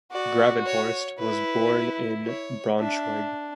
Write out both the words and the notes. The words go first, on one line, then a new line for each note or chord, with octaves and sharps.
Gravenhorst was born in Braunschweig.
F#4 D5
C#5
E4 B4
C#5
D4 E5